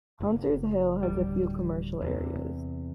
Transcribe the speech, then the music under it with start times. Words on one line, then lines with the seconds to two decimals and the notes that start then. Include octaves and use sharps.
Hunters Hill has a few commercial areas.
0.20 F#1
1.03 D1 G3
2.02 E2 C3